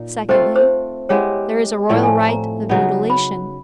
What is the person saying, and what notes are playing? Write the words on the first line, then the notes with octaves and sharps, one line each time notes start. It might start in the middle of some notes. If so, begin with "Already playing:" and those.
Secondly, there is a royal right of mutilation.
Already playing: A#2 D#4
A3 C4 F4 A4 C5
C5
G#3 B3 E4 G4 C#5
A2 F3 A3 C4 D5
G#5
A#5
C#3 F#3 B3 D#4
B5